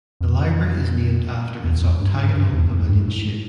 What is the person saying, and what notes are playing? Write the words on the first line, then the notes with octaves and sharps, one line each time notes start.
The library is named after its octagonal pavilion shape.
F2
E2
F2
G2
G#2
G2
E2
F2
G2
A2